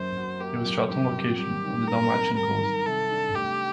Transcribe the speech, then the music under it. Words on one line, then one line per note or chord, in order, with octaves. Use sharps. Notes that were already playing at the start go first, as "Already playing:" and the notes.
It was shot on location on the Dalmatian Coast.
Already playing: F#2 F#3 A#3 C5
F#4
A#3 G4
F#3
G2 G4
C4
G3 G4
D#3
G2 A#4
C4
G3 A#4
D#3
C3 A4
D4
A3 G4